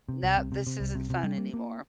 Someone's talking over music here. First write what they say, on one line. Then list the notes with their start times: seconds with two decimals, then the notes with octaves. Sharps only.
"No, this isn't fun anymore."
0.09 C3
0.23 C2
0.37 C3
0.52 C3
0.67 C3
0.80 C2
0.95 C3
1.10 C3
1.23 G3
1.38 A#3
1.54 A#3